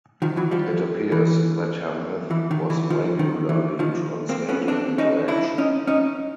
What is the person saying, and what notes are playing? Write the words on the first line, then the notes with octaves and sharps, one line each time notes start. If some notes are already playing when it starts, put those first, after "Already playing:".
It appears that her myth was regularly translated into action.
D#3 F3
E3 F#3
F3 G3
E3
E3
D#3
E3
D#3 F3
D#3
E3
D#3 F3
A#3 C4
B3 C#4
C4 D4
C#4 D#4
D4 E4
C#4 D#4
C#4 D#4